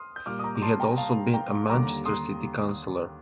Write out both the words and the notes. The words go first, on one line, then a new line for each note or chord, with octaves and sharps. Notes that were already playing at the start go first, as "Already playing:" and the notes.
He had also been a Manchester City Councillor.
Already playing: C6 D#6 F6
G6
A#2 G3 A#3 D6 F6
D#6
A#5 D6
D6
A5 C6
G5 A#5
F5 A5
G5 A#5
D#2 D3 G3 A#5 D6
C6 D#6